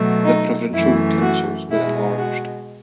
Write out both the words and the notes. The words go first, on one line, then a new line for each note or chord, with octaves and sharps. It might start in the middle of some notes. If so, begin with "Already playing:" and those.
The Provincial Councils were enlarged.
Already playing: B2 F#3 A3
D#4
F#2 E3 A3 E4
F#4
B2 G#3 E4
F#4